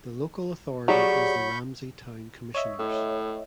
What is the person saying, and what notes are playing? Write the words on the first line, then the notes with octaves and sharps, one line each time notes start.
The local authority is the Ramsey Town Commissioners.
F#3 G4 G#4 D5 B5 C#6 G6
C#5 D#5 E5
A2